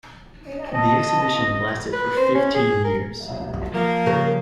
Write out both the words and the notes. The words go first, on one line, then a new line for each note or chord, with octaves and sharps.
The exhibition lasted for fifteen years.
D#5 A5
B4
C5
C#4
G#4
A#4
F3 A#3
C#3 A#4